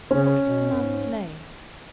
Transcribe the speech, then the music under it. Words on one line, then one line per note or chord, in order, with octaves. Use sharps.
"What was the man's name?"
C#3 C#4
B2
F#2
G#2